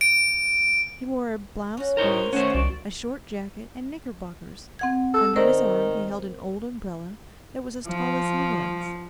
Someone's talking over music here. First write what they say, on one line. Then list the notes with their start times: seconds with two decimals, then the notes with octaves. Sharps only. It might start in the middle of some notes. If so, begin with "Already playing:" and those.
He wore a blouse waist, a short jacket and knickerbockers. Under his arm he held an old umbrella that was as tall as he was.
0.01 D7
1.77 C#4 F#4
1.97 A2 D#4 A#4 C5 C#5
2.33 D#3 A3 C#4 C5 C#5 F#5
2.54 C2 F#4 D5
4.79 C4 F#5 G#6
5.14 A4
5.36 D#3 A#4 C5 D5
7.88 F3